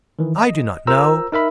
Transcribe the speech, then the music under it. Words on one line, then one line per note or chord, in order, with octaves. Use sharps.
I do not know.
D#3 E3
D#5
F4 A#4 C5 A#5 E6
D#4 A#4 E5 B5